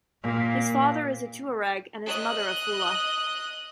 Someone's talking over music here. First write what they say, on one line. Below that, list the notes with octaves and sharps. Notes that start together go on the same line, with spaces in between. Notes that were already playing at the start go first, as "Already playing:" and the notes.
His father is a Tuareg and his mother a Fula.
A#2
D#5 F#6